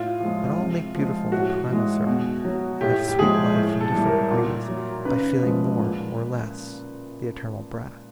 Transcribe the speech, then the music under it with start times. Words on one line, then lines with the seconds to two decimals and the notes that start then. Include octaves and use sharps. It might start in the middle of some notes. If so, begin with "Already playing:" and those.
But all make beautiful the primal circle, And have sweet life in different degrees, By feeling more or less the eternal breath.
Already playing: A2 F4
0.20 F3 G#3
0.58 C3
0.95 F3 G#3
1.32 A2 F#4
1.70 E3 G#3
2.07 B2
2.45 F#3
2.81 A2 G4
3.08 G4
3.19 F3 G#3 G#4
3.55 A2
3.81 A4
3.93 E3 G3
4.05 A#4
4.31 A#2
4.68 F#3
5.05 C#3 B4
5.42 F3 G#3
5.79 A#2